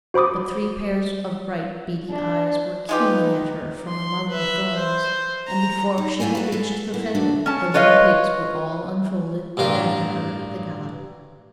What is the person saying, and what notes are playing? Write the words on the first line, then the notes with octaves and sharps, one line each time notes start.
But three pairs of bright beady eyes were keeking at her from among the thorns; and before she had reached the fender, the little pigs were all unfolded and after her at the galop.
F#4 C5 B5 D6 D#6
D4
G#3 D#4 F4 G4 B4
C6
B4 E5
C5
A#5
D#4
A3 E4 F4 G4 G#5
F#4 B4
G#3 A4
A#3 B3 E4
A#3 D4 F#4 A4
C#4 A5
F4 B4 C#5 D#5 F5
A1 G2 F4 A#4